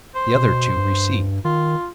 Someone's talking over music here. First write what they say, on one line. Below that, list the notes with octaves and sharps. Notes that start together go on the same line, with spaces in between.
The other two receive.
C5
B2
G2
D#3 F4